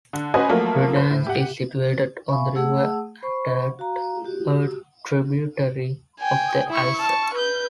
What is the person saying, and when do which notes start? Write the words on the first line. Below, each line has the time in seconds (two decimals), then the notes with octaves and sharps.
Redange is situated on the river Attert, a tributary of the Alzette.
0.13 D3
0.34 C#4 F#4 B4 C5 D#5 G#5
0.48 F3 F#3 A3 A#3 F4
0.96 B4 C5
1.10 A2
1.27 G4 F#5
2.28 E5 F5 G#5 B5 C#6
2.55 A3 G#4 F#5 A5 E6
3.23 C5 B5 C#6
3.79 F#4 F5 A#5
4.24 F#4 G4
6.20 G5 G#5
6.70 E4 C#6
7.00 A5 C#6
7.34 B4 G6